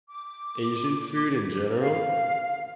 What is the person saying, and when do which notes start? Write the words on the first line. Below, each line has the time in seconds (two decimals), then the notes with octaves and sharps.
Asian food in general.
0.09 D6
1.81 F5